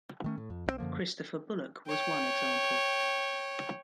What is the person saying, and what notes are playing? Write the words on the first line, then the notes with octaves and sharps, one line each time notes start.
Christopher Bullock was one example.
D#3 A3 C#4
A2
F2
B1 D#3 C4
F#2 D3 F3 A#3
C#5 G5